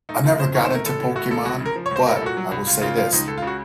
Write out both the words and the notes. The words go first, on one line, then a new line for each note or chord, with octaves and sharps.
I never got into Pokemon, but I will say this,
A3 D#4
F#1 F4
F2 C5
D#3 C#5
C5
A3 A#4
A1 A4
A2
A3 F#4
A1 A4
C#2 F#4
C#3
A#4
F3
C#5
C#2 C5
C2 A#4
A4
A#2 F#4
F#3
C2
C#2 F4
C#3 F4
F3 F4
C#2 D#4
C#2 A4
F4
C#3
F#4